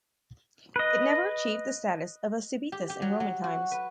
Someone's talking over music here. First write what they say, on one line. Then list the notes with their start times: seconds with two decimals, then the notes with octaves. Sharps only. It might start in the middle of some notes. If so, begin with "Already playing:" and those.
It never achieved the status of a civitas in Roman times.
0.76 B4 D#5
2.72 G4
2.90 G4
3.02 F#3
3.20 F#3
3.44 F#4
3.71 B4